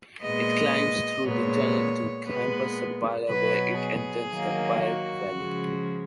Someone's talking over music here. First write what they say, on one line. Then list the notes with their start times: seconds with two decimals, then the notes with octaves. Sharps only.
It climbs through the tunnel to Cima Sappada, where it enters the Piave Valley.
0.22 A#2 G#3 B3 D#5
1.24 A#2 G#3 B3 C#5
2.26 A#2 G#3 B3 B4
3.28 B2 F#3 B3 B4
3.79 G#4
4.31 D#3 F#3 A#3
4.83 F#4
5.33 C#3 F3 G#3